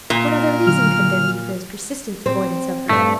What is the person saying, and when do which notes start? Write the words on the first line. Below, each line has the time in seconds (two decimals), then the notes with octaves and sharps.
What other reason could there be for his persistent avoidance of her?
0.10 A#2 A#4
0.67 D3 F#3 F6
2.26 C4
2.89 G2 A3 E5